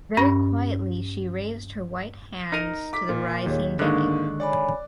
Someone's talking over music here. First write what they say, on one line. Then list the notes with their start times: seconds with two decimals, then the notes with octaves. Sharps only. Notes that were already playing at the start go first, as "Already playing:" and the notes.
Very quietly, she raised her white hands to the rising day.
0.17 G2 C#4 B5
2.52 D#4 A#4 A#5 F6 D#7
2.93 D6 B6
3.09 A#2
3.46 D#2 G4 G#4 C#5
3.79 G#2 D3 D#3 G#3 A#3 D4 C#6 F#6
4.40 C#5 D5 G#5 B5